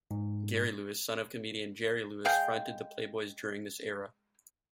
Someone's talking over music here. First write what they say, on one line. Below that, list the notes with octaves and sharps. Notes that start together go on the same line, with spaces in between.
Gary Lewis, son of comedian Jerry Lewis, fronted The Playboys during this era.
G#2
G#3 G#4 F5 G5